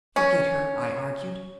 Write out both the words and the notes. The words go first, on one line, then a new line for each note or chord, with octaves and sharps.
"Forget her," I argued.
C#4